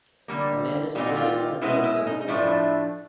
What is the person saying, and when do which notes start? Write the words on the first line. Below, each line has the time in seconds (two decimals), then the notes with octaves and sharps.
A man is swinging on a rope over water.
0.28 D3 G3 A#3
0.95 A#2 G3 C4 D#4 G4
1.06 F#4
1.17 F4 G4
1.62 B2 G#3 C#4 E4 F#4
1.84 E4
2.07 D#4
2.21 D#4
2.28 A2 F3 A3 D4 E4